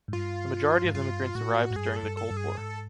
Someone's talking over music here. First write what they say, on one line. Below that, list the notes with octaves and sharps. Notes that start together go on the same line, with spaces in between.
The majority of immigrants arrived during the Cold War.
G#2
G2 F4
G#2
G2 F4
A2 F#4
G#2
G2 G#4
A4
G2
A4
G2
G#4
G#2 A4